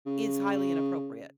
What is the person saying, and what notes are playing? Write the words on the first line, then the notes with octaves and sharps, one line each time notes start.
is highly inappropriate.
C#3